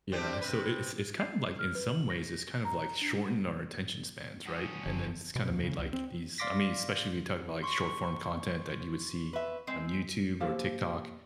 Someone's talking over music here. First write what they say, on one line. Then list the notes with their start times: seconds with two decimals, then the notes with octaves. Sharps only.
Yeah, so it it's it's kind of like in some ways, it's kind of like shortened our attention spans, right, and then it's kinda made, like, these I mean, especially if you talk about, like, short-form content that you would see on YouTube or TikTok,
0.12 C4 D4 G4
0.41 C3 B4
1.19 C7
1.59 F6
1.75 B4
1.89 F#7
2.10 A#6
2.65 A#5
3.01 D4
4.46 G2 C#4 F#5 D#6 A#6
4.86 F#1 F#2 D3 C4
5.36 B2
5.49 D#2
5.63 C#3
5.79 C#2
5.93 C4
6.38 D5 F5 C6 D6 A#6 B6
7.63 C6 C#6
9.33 B4 E5
9.67 G#3 C4
10.40 A#3 G4 C5 F5